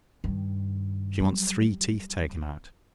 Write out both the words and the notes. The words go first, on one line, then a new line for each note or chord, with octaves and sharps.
She wants three teeth taken out.
G2 D#3
F#3 G3